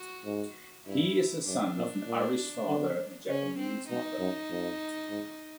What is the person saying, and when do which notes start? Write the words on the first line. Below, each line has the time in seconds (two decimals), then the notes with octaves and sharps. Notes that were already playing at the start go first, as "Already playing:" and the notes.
He is the son of an Irish father and a Japanese mother.
Already playing: F#4
0.25 G#2
0.87 G2 E4
1.47 F#2 D4
1.77 A#2
2.07 A#2
2.68 D3
3.29 C#3 C#4
3.59 C4
3.90 B2 D#4
4.19 F#2
4.51 F2
5.10 G#2